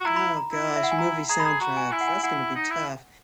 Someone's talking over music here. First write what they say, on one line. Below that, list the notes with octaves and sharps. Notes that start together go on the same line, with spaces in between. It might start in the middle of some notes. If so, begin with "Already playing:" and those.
oh gosh, movie soundtracks, that's gonna be tough
F#4
E4 A#5
B5
A#5
A#5
E4
E5
F#5
G#5
A#5
G#4 A#5
B5
G#4 A#5
F#4 A#5
G#5
E4 G#5
F#5
G#5
E4 F#5
D#4
E4